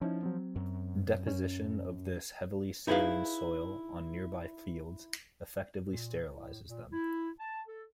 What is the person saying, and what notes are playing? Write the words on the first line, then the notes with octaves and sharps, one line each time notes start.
Deposition of this heavily saline soil on nearby fields effectively sterilizes them.
F3 C#4 D#4 E4
F#3 C4
F#2
C#4
D#4 E4 G#4 A4 B4 F5
A#2
A2
A#2
E4
A5
A4